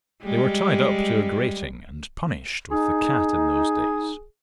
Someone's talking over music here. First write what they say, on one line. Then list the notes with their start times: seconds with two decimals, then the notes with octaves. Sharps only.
They were tied up to a grating and punished with the cat in those days.
0.23 G3 G#3
2.71 D#4 G#4